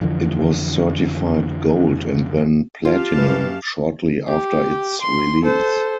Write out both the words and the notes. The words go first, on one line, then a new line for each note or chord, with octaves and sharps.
It was certified Gold and then Platinum shortly after its release.
F2 D3 E3 F3
F4 G4 F5 A5
F#2 B4
G4
C6
A4 C5